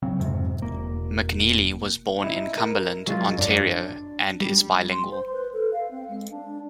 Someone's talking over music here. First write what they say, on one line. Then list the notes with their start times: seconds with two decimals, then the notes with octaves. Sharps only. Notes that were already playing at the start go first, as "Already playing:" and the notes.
McNeely was born in Cumberland, Ontario and is bilingual.
0.02 C#3 F#3 C4
0.19 F2 G#2 C3
0.62 E1 A#3
2.24 D#4 E4
2.58 A#4
3.07 F#3 G#3 F4
3.38 F#2 D4
4.41 G3
4.91 C6
5.11 C5
5.32 B4
5.53 A4
5.73 F5
5.91 C4
6.09 G#3
6.31 D4